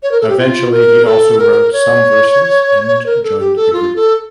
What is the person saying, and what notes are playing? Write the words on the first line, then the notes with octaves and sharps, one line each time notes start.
Eventually he also wrote some verses and joined the group.
C#5
A#4
A4
G4
F4
A#4
A4
A#4
C#5
A#4
A4
G4
A4
F4
A4